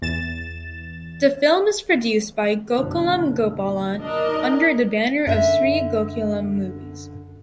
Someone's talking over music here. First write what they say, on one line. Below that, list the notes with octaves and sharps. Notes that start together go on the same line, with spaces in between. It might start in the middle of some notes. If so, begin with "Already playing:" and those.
The film is produced by Gokulam Gopalan under the banner of Sree Gokulam Movies.
E2 A6 E7
F#1 B1 D3
D4 A#4 D#5
D#4
F#2 D3 E5